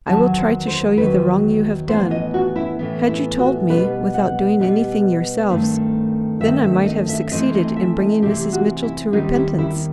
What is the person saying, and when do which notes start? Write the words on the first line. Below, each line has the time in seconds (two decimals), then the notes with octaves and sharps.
I will try to show you the wrong you have done.--Had you told me without doing anything yourselves, then I might have succeeded in bringing Mrs. Mitchell to repentance.
0.07 E2 D#3 F#3 A5
0.37 C5
0.67 C5
0.97 E2 D#3 F#3 B4
1.87 A2 E3 B3 C5
2.11 D#5
2.34 F#4
2.56 E4
2.79 A2 E3 B3
3.09 E4
3.39 F#4
3.69 B2 G3 B3 B4
4.14 F#5
4.59 B2 G3 B3
5.50 G2 D#3 A3 C4
6.41 G2 D#3 A3 C4 E5
6.63 E5
6.86 D#5
7.09 E5
7.32 C3 E3 A3 C4 D#5
7.55 D#5
7.76 E5
8.00 D#5
8.22 C3 E3 A3 C4 G4
8.53 F#4
8.83 E4
9.13 D#2 D#3 G3 C4 D#4
9.36 E4
9.58 E4